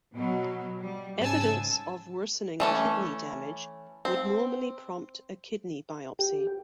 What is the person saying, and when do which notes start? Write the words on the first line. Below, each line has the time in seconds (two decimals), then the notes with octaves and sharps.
Evidence of worsening kidney damage would normally prompt a kidney biopsy.
0.15 B2 F#3
0.80 G3
1.19 G#2 C#3 G#5 A5 E6
2.60 E3 A3 C#4
4.05 C4
6.19 G4